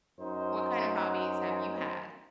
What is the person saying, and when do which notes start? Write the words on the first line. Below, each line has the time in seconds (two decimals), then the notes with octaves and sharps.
what kind of hobbies have you had?
0.20 F#2 D#4 C5